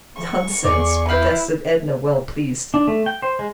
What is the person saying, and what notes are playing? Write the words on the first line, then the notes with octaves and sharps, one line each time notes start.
"Nonsense!" protested Edna, well pleased.
C#6
E2 G#4 D5
E4 B4 F5 G5
D4
A3
G5
C5
G#3